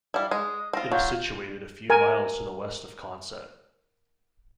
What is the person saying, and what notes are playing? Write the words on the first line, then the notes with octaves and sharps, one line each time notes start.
It is situated a few miles to the west of Consett.
G3 E4 F5
G#3 D#6
C4 F4 A#6
F#3 F4 G6
A#4 G#5